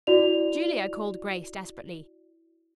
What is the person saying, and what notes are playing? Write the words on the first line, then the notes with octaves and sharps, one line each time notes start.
"Julia," called Grace desperately.
E4 F#4 D5 F7